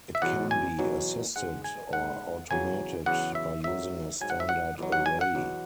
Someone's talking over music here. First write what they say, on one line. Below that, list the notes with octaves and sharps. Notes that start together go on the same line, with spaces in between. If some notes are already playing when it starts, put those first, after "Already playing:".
It can be assisted or automated by using a standard array.
E5
E2 B2 F#3 F#5
G#5
E2 B2 F#3
G#2 G#3 F#5
G#5
G#2 G#3 F#5
E2 C#3 F#3 G#5
E2 C#3 F#3 F#5
E5
G#2 F#3 E5
G#2 F#3 G#5
F#5
E5
F#5
E2 B2 F#3
F#5
G#5
F#5
E2 B2 F#3